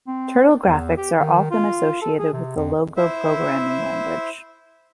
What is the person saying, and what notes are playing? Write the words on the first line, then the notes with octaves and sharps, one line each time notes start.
Turtle graphics are often associated with the Logo programming language.
C4
E2
G4
D#3
F4
A4
G#4
C3
F2
E4 C5 E5